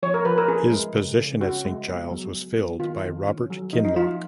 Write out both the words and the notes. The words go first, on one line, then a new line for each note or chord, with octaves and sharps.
His position at St Giles was filled by Robert Kinloch.
F3 C#5
A#4
F3 B4
A#4
C#4 G#4
G#3
C#3
C#3
C#4 F#4
G#3
B3
F#3
F#3
B3
D#3 F4
D#3
C#4
F#3
F3 D#4
D#4
F3 F4